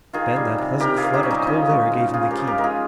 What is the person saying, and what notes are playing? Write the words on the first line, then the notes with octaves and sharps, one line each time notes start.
Then that pleasant flood of cold air gave him the key.
D#3 F4 G#4
G3
C3
C3 G4 A#4
F4 G#4
D#3
D#4 G4
G3 C#4
C4 D#4
F3 C#4 D#4
G#3
C#3
C#3 F4 G#4
G4 A#4
F3
G4 A#4
G#3 A#4
F4 G#4